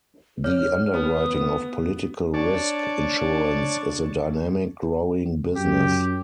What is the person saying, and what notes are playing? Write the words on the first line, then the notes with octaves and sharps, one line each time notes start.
The underwriting of political risk insurance is a dynamic, growing business.
C#5 F6
B3 D#6
D4 C#5 D5 A5
F#2 G4